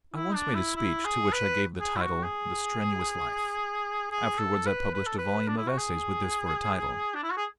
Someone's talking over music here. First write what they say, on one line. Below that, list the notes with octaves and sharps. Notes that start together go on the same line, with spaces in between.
I once made a speech to which I gave the title "The Strenuous Life." Afterwards I published a volume of essays with this for a title.
E4
D4
E4
E4
G#4
B4
G#4
E4
F#4
G#4
G#4
A4
B4
B4
A4
B4
D4
E4
F#4
G#4
D4
E4
F#4
G#4